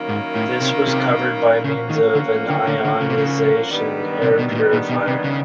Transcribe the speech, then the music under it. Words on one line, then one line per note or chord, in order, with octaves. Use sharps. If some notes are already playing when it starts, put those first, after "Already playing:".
This was covered by means of an ionisation air purifier.
Already playing: D#3 F#3 A#3 C#4 E4
G#2
A2
C3
C3
A#2 C#3 F3 A#3 C#4 F#4
D#3
D3
D3
D3
D3
C#3
C3
C#3
G2 D#3 G3 B3
C3
B2
A2
A#2
A#2
B2
C3
C#3